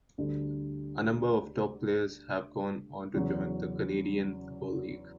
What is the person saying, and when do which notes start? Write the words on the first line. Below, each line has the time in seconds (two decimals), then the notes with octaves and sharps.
A number of top players have gone on to join the Canadian Football League.
0.18 D2 D3 G3
3.14 E2 C#3 F#3 C#4